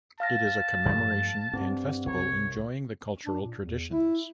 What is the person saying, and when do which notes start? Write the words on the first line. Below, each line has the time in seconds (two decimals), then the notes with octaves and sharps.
It is a commemoration and festival enjoying the cultural traditions.
0.20 F5 A5 F6 A#6
0.86 G2 F3 A3
1.53 G2 C4
2.06 C2 C#5
3.26 D4
3.41 A#2
3.58 E2
3.91 E4